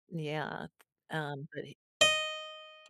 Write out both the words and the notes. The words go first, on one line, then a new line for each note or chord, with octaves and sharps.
Yeah, th um, but he
D#5